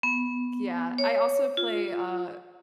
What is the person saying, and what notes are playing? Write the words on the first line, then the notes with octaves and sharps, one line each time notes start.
Yeah, I also play, uh,
B3
C#5
F4